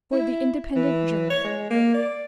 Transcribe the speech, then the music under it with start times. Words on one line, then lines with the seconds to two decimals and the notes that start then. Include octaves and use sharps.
For the Independent Journal.
0.13 E4
0.75 E3
1.30 C#5
1.45 G#3
1.70 A#3
1.94 D5